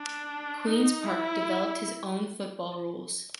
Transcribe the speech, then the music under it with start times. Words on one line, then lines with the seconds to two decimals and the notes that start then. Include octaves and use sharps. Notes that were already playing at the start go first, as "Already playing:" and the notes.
Queen’s Park developed his own football rules.
Already playing: D4
0.67 D#4
1.05 E4